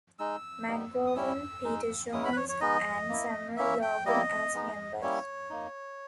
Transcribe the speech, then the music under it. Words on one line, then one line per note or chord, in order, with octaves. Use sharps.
McGowan, Peter Jones, and Samuel Logan as members.
G#3 D#4 E6
G3 B3 D#4
D#6
G3 C#4 E4 E6
G#3 D#4
G#3 C#4 E4 D#6
B5
B4
C#5
C#5
G#3 B3 D#4 D#5
A#3 E4
A#3 C#4 E4 E5
G5
G3 A#3 E4 D#5
G#3 B3 D#4
G3 A#3 C#4 E4 C#5
A#3 D#4